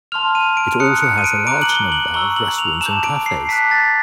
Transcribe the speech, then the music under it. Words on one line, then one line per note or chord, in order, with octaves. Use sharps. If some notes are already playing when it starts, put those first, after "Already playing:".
It also has a large number of restaurants and cafes.
A5 C6 F6 F7
D#7
D7
A#5 D#6 F#6 C#7
C#7
D#7
D7
A#5 D6 F#6 D7
F#7
G7
F#7
A#5 C#6 E6 G7
F#7
F7
A5 D6 G6 E7
D7
C7
A5 D6 F#6 B6
A6